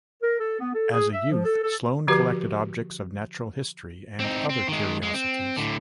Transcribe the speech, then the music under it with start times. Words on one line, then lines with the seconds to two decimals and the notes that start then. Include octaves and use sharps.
As a youth, Sloane collected objects of natural history and other curiosities.
0.23 A#4
0.40 A4
0.60 B3
0.74 A4
0.93 G#4
1.13 E5
1.31 F3
1.45 A4
1.64 A4
2.08 D3 F3 F#4 G4 B4
4.20 C4 D#4
4.50 C4
4.68 D#3 G#3
5.03 G#3
5.14 C4
5.57 A2 D3